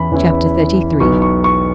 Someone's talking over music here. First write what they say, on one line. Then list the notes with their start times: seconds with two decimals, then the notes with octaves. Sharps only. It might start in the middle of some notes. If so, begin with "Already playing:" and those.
Chapter XXXIII.
Already playing: E2 E3 C#4 E4 B5
0.12 E2 E3 C#4 E4
1.00 B1 B2 B3 E4 C#6
1.22 C#6
1.44 C#6